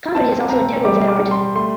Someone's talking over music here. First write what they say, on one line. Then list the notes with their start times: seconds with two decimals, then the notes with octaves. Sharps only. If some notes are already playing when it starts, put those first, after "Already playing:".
Comedy is also integral to their art.
0.15 C4 A5
0.50 C4 A#5
0.85 G3 D6
1.08 D6
1.20 G3
1.31 C6
1.55 A3 C6